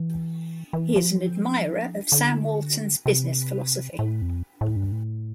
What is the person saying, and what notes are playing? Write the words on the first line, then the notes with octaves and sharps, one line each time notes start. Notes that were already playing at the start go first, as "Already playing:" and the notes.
He is an admirer of Sam Walton's business philosophy.
Already playing: E3
E3
F3
D3
C3
A2
F2
A2
G2
A2